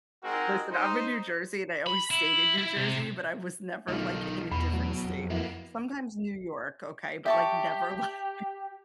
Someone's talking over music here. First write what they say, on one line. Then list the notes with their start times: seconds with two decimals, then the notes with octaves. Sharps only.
Listen, I'm in New Jersey and I always stayed in New Jersey, but I was never like in a different state. Sometimes New York, okay, but, like, never, like
0.24 G#3 C4 D#4 F#4 G#4 A#4
0.71 D#4 C5
1.87 B5
2.11 E4
2.58 E4
2.76 C3
3.88 B1 D3 D#3 F4 F6
4.52 E2 B2 B5
4.73 F#3
5.05 F2
5.30 A#3 B3 E4
7.26 G4 E5 A5 C#6